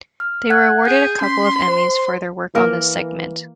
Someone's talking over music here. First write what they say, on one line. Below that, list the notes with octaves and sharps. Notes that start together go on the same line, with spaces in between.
They were awarded a couple of Emmys for their work on this segment.
F6
F#5 F#6 G#6
G#4 G6
C#4 C6 B6
C5
E3 A#3 A#4